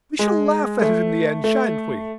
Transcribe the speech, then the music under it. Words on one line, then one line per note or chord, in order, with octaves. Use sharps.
We shall laugh at it in the end, shan't we?
G#3
A3
A3